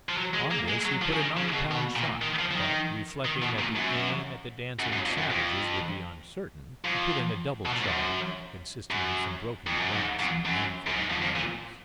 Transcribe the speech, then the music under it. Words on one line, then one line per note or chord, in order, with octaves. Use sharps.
On this he put a nine-pound shot; but, reflecting that the aim at the dancing savages would be uncertain, he put in a double charge, consisting of some broken glass and a handful of nails.
F3
F#3
G#3
A#3
G#3
F#3
F3
C#3
D#3
C#3
B2
B2
A#2
D#3
F3
F3
D#3
D#3
B2
A#2
F#2
F#2
F#2
F2
F#2
F2
F2
B2
A#2
G#2
F#2
F#2
F2
F#2
G#2
F2
F#2
F#2
G#2
F2
F2
A#2